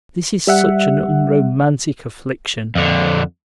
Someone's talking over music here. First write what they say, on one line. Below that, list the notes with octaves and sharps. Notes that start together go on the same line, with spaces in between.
This is such an unromantic affliction.
G3 E5 F#5
F2 D3